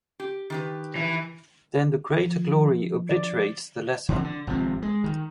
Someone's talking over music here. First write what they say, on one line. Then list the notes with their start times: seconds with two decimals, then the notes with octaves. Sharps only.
Then the greater glory obliterates the lesser.
0.20 G4
0.50 D#3 G4 B4
0.96 E3
2.19 F3
3.09 D5
4.09 D3 E3 C4
4.24 D3
4.47 G#1 C3 F3 C4
4.82 G#3
5.04 D#3